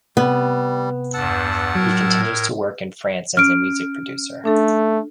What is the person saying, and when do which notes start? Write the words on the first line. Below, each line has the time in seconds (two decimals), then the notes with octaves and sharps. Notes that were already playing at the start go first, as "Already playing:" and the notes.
He continues to work in France as a music producer.
0.17 C3 G3 B3
1.14 E2 G2 F#5 A5 E6
1.75 A2 F#3 A#4 G#6
3.37 C#4 F6 D7
4.45 A3 D4 A4